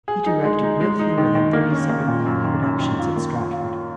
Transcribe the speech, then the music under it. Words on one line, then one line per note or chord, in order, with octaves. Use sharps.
He directed no fewer than thirty seven productions at Stratford.
G#4
D#4
G#3
D#4
G#3
D#4
D#3
D#3
A#3
C#4
A#3
A#2
F#2
D#3
F#2
D#3
F4
A#3
F4
F4